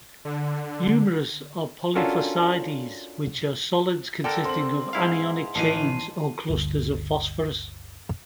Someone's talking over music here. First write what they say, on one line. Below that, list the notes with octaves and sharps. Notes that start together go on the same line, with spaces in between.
Numerous are polyphosphides, which are solids consisting of anionic chains or clusters of phosphorus.
D3
C#4 D4 F4 F#4 A4 A#4
D3 A4 A#4 G5
C4 C6 F#7
G#2 E4 F5
A1 D#3 E3 A5 C7 D#7
G1 D2